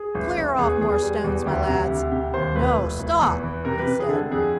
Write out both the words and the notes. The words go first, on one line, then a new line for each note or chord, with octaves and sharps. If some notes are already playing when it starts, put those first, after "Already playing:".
"Clear off more stones, my lads. No; stop!" he said.
Already playing: G#4
A1
A1
E2 G#4
E2 G#4
G3
E2
D2 G4
C3
D2
C3 G4
D#2 C5
F1 B4
F1
F1
E2
E3
C3 A#4
B4
C3
G#4
D3 A4
F2 G#4